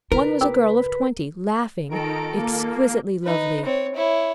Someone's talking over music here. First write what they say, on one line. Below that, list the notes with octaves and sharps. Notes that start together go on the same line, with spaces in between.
One was a girl of twenty, laughing, exquisitely lovely.
C#3 E4 A#4 B4
C4 G4
D#3 F4 A4 A#5 D7
A#3
D#4 B4
C4 C#5
E4 C#5